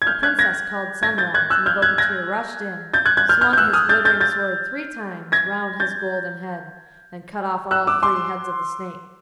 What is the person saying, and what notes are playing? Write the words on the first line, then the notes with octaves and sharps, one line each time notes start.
The Princess called Sunrise, and the bogatir rushed in, swung his glittering sword three times round his golden head, and cut off all three heads of the snake.
G#6
F6 G6
F#6 G#6
G#6 A#6
G#6 A#6
G6 A6
F#6 G#6
E6 F#6
F6 G6
F#6 G#6
G#6 A#6
G6 A6
F#6 G#6
F#6 G#6
F6 G6
F6 G6
G6
E6 F#6
D#6 F6
G6 A6
G6 A6
G6 A6
G#6 A#6
G6 A6
E6 F#6
D6 E6
C6 D6